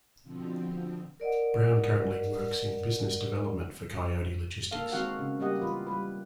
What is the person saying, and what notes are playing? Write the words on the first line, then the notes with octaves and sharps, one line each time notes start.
Brown currently works in business development for Coyote Logistics.
B2 D3 F3 C4
A#4 D5 D#5 F#5
A#3 A4 F5
D#3 G#3 C4 F#4 F5 F#5
C#3
G3 A#3 B3 G4 D#5 F#5
E3 F4 B4
G3 B4